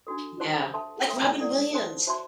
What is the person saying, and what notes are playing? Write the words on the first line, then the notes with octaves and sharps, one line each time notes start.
Yeah, like Robin Williams,
D4 F#4 A4
G4 C5 F#5 A5 C6
A4 E5 A5 C6
A4 E5 G5 C6
E4 A4 D5 F#5
A4 C5 F#5 A5 C6
F#4 C5 E5 A5 C6